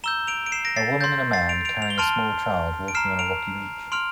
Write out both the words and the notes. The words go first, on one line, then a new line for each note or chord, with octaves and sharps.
A woman and a man carrying a small child walking on a rocky beach.
A#5 E6 G6 E7 G7
D7 F7
D7
C7 E7
A#6 D7
A6 C7
C6 G6 A6
A6 C7
D7 F7
D7 F7
F7
G7
A5 C6 F6 D7 F7
D7
A#5 F6 C7 E7
D7 F7
C6 F6 D7 F7